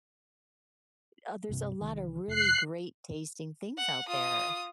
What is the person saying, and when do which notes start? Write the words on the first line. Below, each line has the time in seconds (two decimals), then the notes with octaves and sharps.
uh, there's a lot of really great tasting things out there.
1.49 C2 G2 C3
1.80 C2 D#3 G3
2.28 F1 F#6 C7
3.77 F#5
4.08 F4 D#6